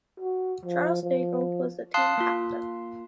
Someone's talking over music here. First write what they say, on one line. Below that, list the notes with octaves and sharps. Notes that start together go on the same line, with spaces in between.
Charles Nagle was the team captain.
F#4
F3
F3
F5 A5 C6 D#6 F#6 C7
A#3 F4